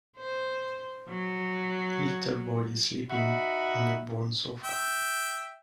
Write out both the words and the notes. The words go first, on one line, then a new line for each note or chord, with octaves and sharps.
Little boy is sleeping on a brown sofa.
C5
F#3
D#4 F#4 E5 B5
E5 G5